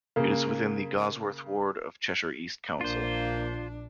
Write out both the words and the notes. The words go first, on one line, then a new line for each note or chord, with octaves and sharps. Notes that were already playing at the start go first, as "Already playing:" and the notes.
It is within the Gawsworth Ward of Cheshire East Council.
C#3 A#3
A#1 A#3 D4 F4 C5